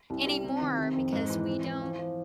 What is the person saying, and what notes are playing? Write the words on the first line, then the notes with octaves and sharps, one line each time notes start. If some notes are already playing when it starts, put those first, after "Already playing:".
anymore, because we don't
C2
G3
C3
D#3
C3
F2
G#2
E3
C4
E3
F3
F3